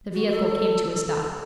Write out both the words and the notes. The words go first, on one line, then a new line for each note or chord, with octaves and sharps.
The vehicle came to a stop.
F#4
A4